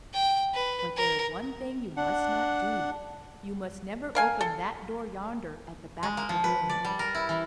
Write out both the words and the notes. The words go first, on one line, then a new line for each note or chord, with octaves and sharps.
But there is one thing you must not do: you must never open that door yonder at the back of the room.
G5
B4
A#4
D4 F#5
A#4 F5 G#5
A4
G#3
A#3
F3
B4
D5
G3
A#4
E4
E3